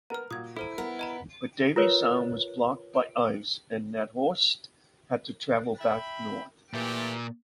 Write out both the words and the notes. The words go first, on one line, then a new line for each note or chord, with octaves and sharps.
But Davy sound was blocked by ice and Nathorst had to travel back north.
B3 A#4 A#5 F6
A#2 F#4 D#6 G#6
E4 A4 C5 A#5
B3 A#4
D#5 A#5 B5
F4 A#4 B4 C#5
E5 G5 B5
A#2 E3 A3 G4